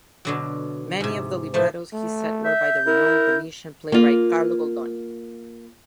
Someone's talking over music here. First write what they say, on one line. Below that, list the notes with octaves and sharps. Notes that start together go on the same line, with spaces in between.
Many of the librettos he set were by the renowned Venetian playwright Carlo Goldoni.
B2 D3 F#3
G#2 C3
A2 F3 A3 C5
A3
E5 G6
E4 A#4
A#3 F4